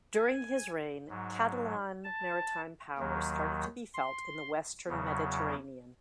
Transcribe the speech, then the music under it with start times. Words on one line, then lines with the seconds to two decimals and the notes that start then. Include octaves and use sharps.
During his reign Catalan maritime power started to be felt in the western Mediterranean.
0.14 G#5
1.08 G#2 F#3
2.04 A5
2.98 D#2 D#3 F#3
3.93 C6
4.88 E2 C#3 F#3